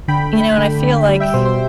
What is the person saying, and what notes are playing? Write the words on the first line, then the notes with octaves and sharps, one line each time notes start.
You know, and I feel like
D3 G5 B5
A3
D3
D3
G3
E5 G5
B2 C5
C5